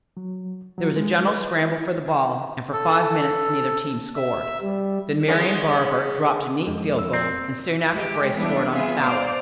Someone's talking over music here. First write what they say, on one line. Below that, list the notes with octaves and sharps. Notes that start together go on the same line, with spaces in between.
There was a general scramble for the ball, and for five minutes neither team scored; then Marian Barber dropped a neat field goal, and soon after Grace scored on a foul.
F#3
F#3
G#3
B4
E4
G5
A4
E5
G3
G#3 B3 C#4
F2 G#3
E6
C4
G#3 G4
E3 G3 B3 D4 E4
B3 F4 G#4 E5
C5 D5 F5